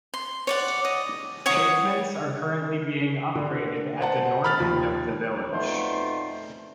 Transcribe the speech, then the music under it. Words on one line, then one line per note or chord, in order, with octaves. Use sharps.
Pavements are currently being upgraded at the north end of the village.
C6
C#5 D5 F#5
D#5
C#5 F#5 C#6 D#6
D3
C5 F#5 A5
B5 F6 A6
D#2 F3
F2 B2 A3 D#4 C5 D5